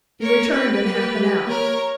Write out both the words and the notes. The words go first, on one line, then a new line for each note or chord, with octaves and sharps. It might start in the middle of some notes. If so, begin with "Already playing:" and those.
He returned in half an hour.
A#3 A#4 C#5
G4 B4
A#3
G3
A#3 A#4 C#5